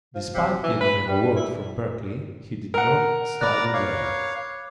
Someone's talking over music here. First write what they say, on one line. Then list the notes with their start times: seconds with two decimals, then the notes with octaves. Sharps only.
Despite getting an award from Berklee, he did not study there.
0.15 F3
0.34 C3
0.63 E3
0.81 B4
1.08 G3
1.36 E4
2.74 A#4 F#5
3.41 D5 A#5 B5 D6 F#6
3.74 C#5 F5 D6